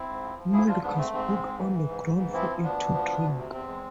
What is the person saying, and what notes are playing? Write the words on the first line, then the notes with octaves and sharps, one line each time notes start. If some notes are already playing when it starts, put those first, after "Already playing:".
Milk is put on the ground for it to drink.
Already playing: C4 E4
G#2
F3
F3
G#2 E4 G#4
G#2 D4 F4
G#2 B3 D4
B3
A3 C4
G#2 C4
G#3
G#2
E3
E3
G#2
G#2
E3
F3 C4 E4
F3
D2 B3 D4
D2
F3
D2
D2
C3
E2 C4
G#3